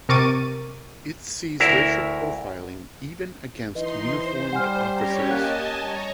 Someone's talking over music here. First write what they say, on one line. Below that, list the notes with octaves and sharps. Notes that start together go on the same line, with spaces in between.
It sees racial profiling even against uniformed officers.
C3 A#4 C#6 D6 A6 D#7
D2 E4 A#4
E3 D#4 B4 D#5 C6
C5
G3 F#5 G#5 F6
C#4 G4 C#5 A#5 A#6
A#3 D#5 F#5 G#5 A5 F#6
G3 C#5 A#5